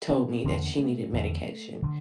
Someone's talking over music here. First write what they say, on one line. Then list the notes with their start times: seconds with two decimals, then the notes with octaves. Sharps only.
told me that she needed medication,
0.09 C4
0.44 E2 D3 A#3
0.78 A3
1.13 E2 D3
1.82 D3